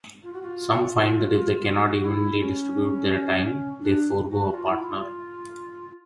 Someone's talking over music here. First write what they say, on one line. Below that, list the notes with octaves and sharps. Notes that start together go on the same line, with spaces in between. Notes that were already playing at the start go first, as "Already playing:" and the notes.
Some find that if they cannot evenly distribute their time, they forego a partner.
F4
F#4
F4
F4
F#4
E4
C#4
D4
F#4
F4
E4
F4